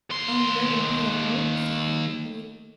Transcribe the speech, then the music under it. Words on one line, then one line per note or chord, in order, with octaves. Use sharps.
"Oh, no, indeed, I won't," said Anne eagerly.
D#2 C6